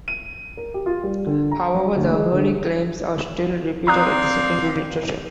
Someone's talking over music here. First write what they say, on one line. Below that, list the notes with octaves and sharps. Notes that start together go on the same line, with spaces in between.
However, the early claims are still repeated in the secondary literature.
D#7
A#4
G4
F4
G3
D3
A#5
F#3
D2
G#3
D3
C4 D4 F5 A#5 D#6 F#6